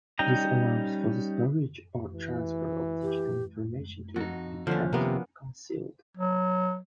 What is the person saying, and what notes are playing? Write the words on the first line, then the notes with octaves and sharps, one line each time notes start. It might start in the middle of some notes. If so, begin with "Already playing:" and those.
This allows for the storage or transfer of digital information to be kept concealed.
G3 C#4 D#4 G5 A#5
E3
G4
F2 D#4 F#4
D#2 D3 F3 C#4 D4
C3 A#3 B3
F#3